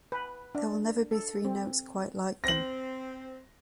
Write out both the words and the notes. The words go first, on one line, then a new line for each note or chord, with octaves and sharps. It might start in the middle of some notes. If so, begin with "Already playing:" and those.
There will never be three notes quite like them.
B4
D4
A4
C4
C4 A#6 F#7